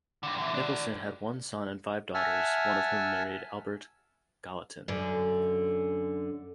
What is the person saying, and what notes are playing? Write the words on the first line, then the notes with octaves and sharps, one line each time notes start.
Nicholson had one son and five daughters, one of whom married Albert Gallatin.
G2 D3
D3 E3
F#4 D5
E5 F#5 G#5 A5 E6 F6
F#2 D3